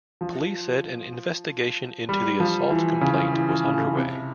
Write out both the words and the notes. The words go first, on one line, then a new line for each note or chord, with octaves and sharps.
Police said an investigation into the assault complaint was underway.
F3
G3
F3
E3
C#3
E3
C#3
C3